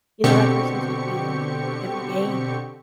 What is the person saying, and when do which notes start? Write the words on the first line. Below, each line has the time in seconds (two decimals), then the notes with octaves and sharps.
you know, that person's with you every day
0.24 B2 D3 C4 G4 C#6 C#7